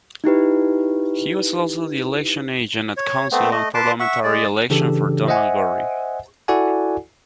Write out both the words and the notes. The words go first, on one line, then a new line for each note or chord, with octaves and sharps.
He was also the election agent at council and parliamentary elections for Donald Gorrie.
D#4 E4 G4 B4
C#5
A3 B3 C4
A3 D#5
B4 A5 C6 D6
E5 F#5 C#6
G#3 D5
C#3 E3 D4 G4 A4
C5 D#5 E5 F#5 G#5
E4 F#4 A4 D5 F#5 G#5